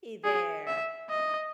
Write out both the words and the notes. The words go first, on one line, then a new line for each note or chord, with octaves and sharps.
Hey there.
G#4
E5
D#5